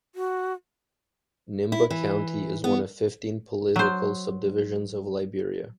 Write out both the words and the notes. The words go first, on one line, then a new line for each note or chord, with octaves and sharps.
Nimba County is one of fifteen political subdivisions of Liberia.
F#4
E4
E3
B3
F#3 C5